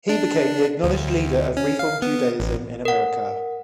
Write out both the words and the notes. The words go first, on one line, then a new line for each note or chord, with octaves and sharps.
He became the acknowledged leader of Reform Judaism in America.
D4
D2
C#4
F5
B3
A1
A#4 F#5